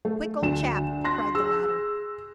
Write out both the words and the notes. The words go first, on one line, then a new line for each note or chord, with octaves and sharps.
"Quick, old chap!" cried the latter.
A3
D2 D4 E7
C6 F#6 A#6
G#4 E6